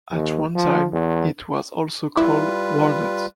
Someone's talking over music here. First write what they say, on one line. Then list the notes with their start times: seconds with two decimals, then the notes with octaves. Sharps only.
At one time it was also called Walnut.
0.12 D#2
0.55 F3
0.92 E2
2.17 G3 E4 F4 B4